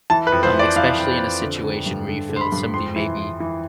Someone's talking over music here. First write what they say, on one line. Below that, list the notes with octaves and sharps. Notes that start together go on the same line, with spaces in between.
Um, especially in a situation where you feel somebody may be
E3 A5
B4
F2
C5
E3
D5
E3 F5
F2
F2
D3
D3
G2
D3
D3
C6
B5
G2
F2 C6
E3
E3
E3